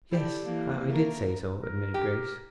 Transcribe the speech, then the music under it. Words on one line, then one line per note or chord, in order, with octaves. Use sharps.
"Yes, I did say so," admitted Grace.
D4 E4 G4 A4
E3 A#3
A3 A#4
A#4
G4